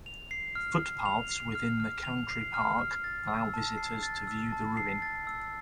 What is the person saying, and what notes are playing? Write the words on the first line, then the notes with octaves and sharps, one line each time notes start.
Footpaths within the country park allow visitors to view the ruin.
F7
C7
F6
F6
F7
C7
F6
F6
F7
C7
F6
F6
A6
E6
A5
C7
A6
E6
A5
C7
A6
E6